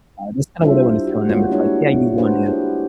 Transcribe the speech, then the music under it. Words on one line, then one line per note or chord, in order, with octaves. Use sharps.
uh, that's kind of what I wanna instill in them. It's, like, yeah, you wanna,
G3 D4 E4 F4 C5 E5
F#4 G4
G3 A#3 B3 F4 F#4 C#5
G#3 D4 E4 C#5
D4 F#4 B4 C5
E4 G4 G#4